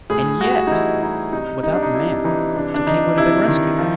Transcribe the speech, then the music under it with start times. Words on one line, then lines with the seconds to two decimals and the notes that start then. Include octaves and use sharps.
"And yet, without the man, the king would have been rescued."
0.10 A2 G#4
0.41 G3 F#4
0.67 D#4
0.71 E3 E4
1.02 G3 D#4
1.32 C3 D#4
1.63 G3 D#4
1.73 D4
1.83 D#4
1.95 C3 E4
2.24 E3 D#4
2.56 C3 D4
2.74 D4
2.87 D#3 D#4
3.17 C3 E4
3.48 D#3
3.79 F3